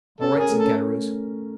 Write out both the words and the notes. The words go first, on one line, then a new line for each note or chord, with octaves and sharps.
"All right!" said Caderousse.
C#4 A4
G#4 A#4
A3
C#4 A4